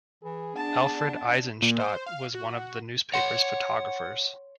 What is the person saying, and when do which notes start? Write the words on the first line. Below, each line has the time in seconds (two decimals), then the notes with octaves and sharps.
Alfred Eisenstaedt was one of the newspaper's photographers.
0.23 E3 G#4
0.56 B3 D4 A5
1.62 A#2
1.79 C5
2.06 F5
2.34 F#4
3.14 C#5 F#5 C6